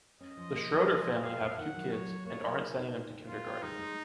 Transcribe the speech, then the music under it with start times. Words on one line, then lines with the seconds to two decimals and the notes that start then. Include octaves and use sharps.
The Schröder family have two kids, and aren’t sending them to kindergarten.
0.20 C#4 D#5
0.37 F3
0.54 A#3
0.72 F3
0.89 G#3
1.06 G#3
1.23 C4 F5
1.40 A#2
1.57 D#3 F#5
1.74 F#3
1.91 F#3 C#5
2.09 F#3
2.25 A#3 C#5
2.42 F#3
2.59 D#4
2.76 D#4
2.94 A#2
3.11 C4
3.28 A#2 F4
3.45 C4
3.63 G#3 D#4
3.79 G#3